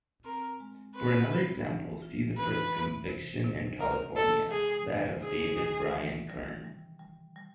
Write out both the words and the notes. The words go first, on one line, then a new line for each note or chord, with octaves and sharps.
For another example, see the first conviction in California, that of David Brian Kern.
C4 A#4
G#3
C4 B4
F4
E3
F4
E3 B4
E3
C3
C3
C3 A#4
C3 A4
G#3 G#4
D#3
C3 G#4
D#3
E3
G3
G3
G3
G3